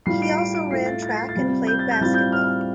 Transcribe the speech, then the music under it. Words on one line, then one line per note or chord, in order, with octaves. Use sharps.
He also ran track and played basketball.
A2 G3 F4 C7
D7
C7
D7
D7
A2 A3 F4 C7
A6
A6
C7
A6
C3 G3 C4 F4
G6
A6
G6
A2 G3 C4 F4 A6
G6
F6